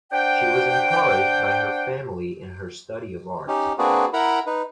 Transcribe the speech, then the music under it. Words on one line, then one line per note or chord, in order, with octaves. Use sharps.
She was encouraged by her family in her study of art.
D4 C5 F#5 G5
C#4 D#4 G4
A#3 C4 D4 F#4 G#4 B4
E4 A#4 F#5 A#5 B5
D#4 B4